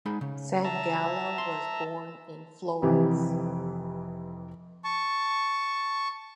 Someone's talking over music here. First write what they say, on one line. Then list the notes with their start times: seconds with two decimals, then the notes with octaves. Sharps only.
Sangallo was born in Florence.
0.06 G#3 D#4 B5
0.21 C#3
0.65 E5 A5 A#5
1.38 C6
2.82 F1 F2 E3 G4 B4
4.84 A5 C#6